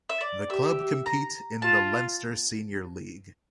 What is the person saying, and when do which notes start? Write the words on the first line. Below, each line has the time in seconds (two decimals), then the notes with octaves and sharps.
The club compete in the Leinster Senior League.
0.10 E5
0.21 D5
0.49 G4 E5
1.06 A#5
1.62 F4 A5